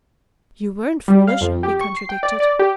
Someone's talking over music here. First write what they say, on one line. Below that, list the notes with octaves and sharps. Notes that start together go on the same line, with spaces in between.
"You weren't foolish!" he contradicted.
G3
F5
F2
G4
C#6
C7
G5
D5
D5
G4